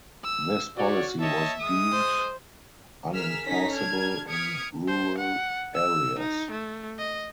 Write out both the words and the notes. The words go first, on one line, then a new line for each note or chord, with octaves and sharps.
This policy was deemed unenforceable in rural areas.
E6
F#4 C#5 D5
C#5 D#5 E5 A5
G#3 D#6
C5
G#4 A#4 E6 F6 B6
C#4 D#4 A4 C#5 A#6 B6
D4 F6 G#6
D#6 F6 G#6 B6 C#7 D7
C5
F#5
E6
D#4
A3
D#5